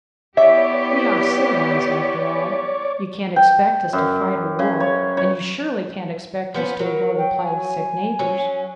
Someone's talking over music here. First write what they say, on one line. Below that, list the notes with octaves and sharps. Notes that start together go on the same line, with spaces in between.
"We are civilized, after all. You can't expect us to fight a war--and you surely can't expect us to ignore the plight of sick neighbors?"
B3 E4 G4 C#5 D5 E5
G5
F#2
C#3
C#5
C#5
F3 B3 C#4
F#3 A#4
G5
G#5
F#3 C#4